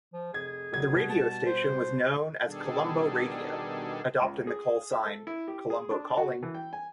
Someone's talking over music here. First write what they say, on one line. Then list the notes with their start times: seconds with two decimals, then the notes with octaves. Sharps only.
The radio station was known as Colombo Radio, adopting the call sign, 'Colombo Calling.
0.13 F3
0.34 F1 G#4 G#6
0.72 E1 F#3 G#6
0.95 B2 G3
1.10 A5
1.46 C5
2.43 B2 D#3 G3 D4 G#4 A4
4.21 C#2
4.47 G#4
4.92 E5
5.05 A4
5.27 E4
5.48 G4
5.70 G#4
5.91 D4
6.17 F#4
6.43 E3
6.54 G5
6.73 G#5